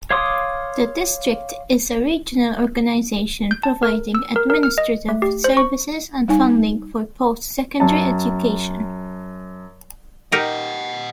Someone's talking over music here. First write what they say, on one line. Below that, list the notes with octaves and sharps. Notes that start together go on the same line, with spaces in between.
The district is a regional organization providing administrative services and funding for post-secondary education.
C#5 F5 C6 D6 D#6
G6
A5
A#4
E6
A#4
A#4
F6
D#5
A3
G4
C5
C#6
G3 D#4 G#5
F#2 A5
D#4 G4 A#4 D#5 F#5